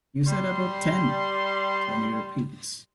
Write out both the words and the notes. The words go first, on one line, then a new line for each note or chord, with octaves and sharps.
"You said about ten," Tony repeats.
G3 C6